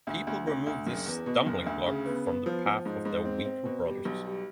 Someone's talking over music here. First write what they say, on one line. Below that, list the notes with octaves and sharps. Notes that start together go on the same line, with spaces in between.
People remove this stumbling-block from the path of their weaker brothers.
D2
D2
D2
D2
F#1
E2
B2
F#1
D2
C#3
B3
B3
F3
F3
G#2
G#2
C4
C4
B2
G3
B1
G3